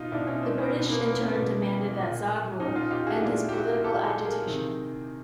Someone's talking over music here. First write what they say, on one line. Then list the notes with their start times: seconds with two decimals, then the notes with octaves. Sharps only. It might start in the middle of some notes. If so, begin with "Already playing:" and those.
The British in turn demanded that Zaghloul end his political agitation.
Already playing: B2 D#4 F4
0.12 B2 D4 E4
0.27 C#4 D#4
0.43 C4 D4
0.58 B3 C#4
0.73 B2 B3
0.85 B3
0.89 A#3
1.01 B3
1.05 A#3
1.21 B3 C#4
1.35 B2
1.98 A#2
2.60 A#2 C#4 D#4
2.76 D#4 F4
2.91 F4 G4
3.07 F#4 G#4
3.22 A#2 D4 E4
3.49 G4
3.53 E4 F#4
3.84 A#2 G4 A4
4.05 G4 A4
4.25 G#4 A#4
4.46 C3 D#3